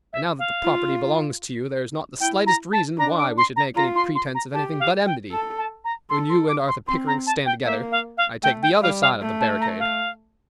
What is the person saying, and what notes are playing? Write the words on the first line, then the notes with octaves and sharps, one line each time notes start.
And now that the property belongs to you, there is not the slightest reason why we should make any pretense of anything but enmity. When you and Arthur Pickering stand together I take the other side of the barricade!
E5
F5
F4
E4 G5
A#5
A5
D4 A#5
D6
C6
A#5
F4 A#5
C6
C6
A#5
G4 A5
F5
G5
A4 A5
A5
A#5
A4 C6
C6
D6
C6
C4 C6
A#5
A5
G5
A#3 E5
F5
F5
A3 G5
G5
G3 F5
F5
A3
A5
A#5
F5